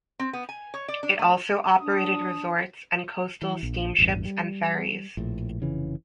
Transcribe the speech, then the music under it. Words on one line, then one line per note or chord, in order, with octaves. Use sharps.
It also operated resorts and coastal steamships and ferries.
C4
B3
G#5
C#5
D5
D4
A3
D4 D#6
E3
A#1
A1 E2 G2 F3
G3
A#1 A2
F1 C#3 E3